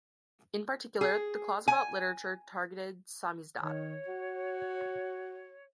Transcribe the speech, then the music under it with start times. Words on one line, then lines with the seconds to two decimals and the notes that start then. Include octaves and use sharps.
In particular, the clause about literature targeted "samizdat".
1.01 G#4
1.68 G#5
3.61 D#3 C#5
4.08 F#4